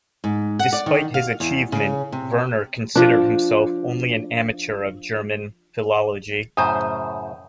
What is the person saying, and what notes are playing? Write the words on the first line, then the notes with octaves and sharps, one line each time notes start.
Despite his achievement, Verner considered himself only an amateur of German philology.
G#2
F#5
D5
D#3
F5
E2
C#3
C3
F3 D4
F#2 A2 C#3 C5 G#5 A#5 D#6